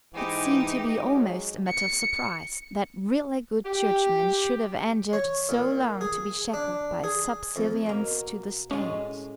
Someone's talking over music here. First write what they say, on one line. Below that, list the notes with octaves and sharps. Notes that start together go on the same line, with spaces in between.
It seemed to be almost a matter of surprise that really good Churchmen should have endured so long to be shackled by subservience to the State.
G#2 E3 D#4 G4
F#3 G#3
C#7
G4
C#5
A#2
G#4
D4
G#4
F2
B2 A#3
A2 G#3 C#4 A5